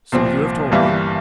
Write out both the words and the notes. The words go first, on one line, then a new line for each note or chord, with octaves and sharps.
"So you have told me."
C2 A#2 F3 C4
G1 G2 E3 G3 A#3